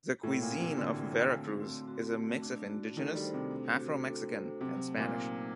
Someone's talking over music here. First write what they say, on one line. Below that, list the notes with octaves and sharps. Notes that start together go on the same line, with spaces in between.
The cuisine of Veracruz is a mix of indigenous, Afro-Mexican and Spanish.
A2 A3
A#2
C4
C3
D3 F#4
A3
A3
C4
F#4
A3
D4
F#4
D#3 A4
G3
C5
C3
D4
F#4
A4
C5
C3 F#3
A3
A#2
D#4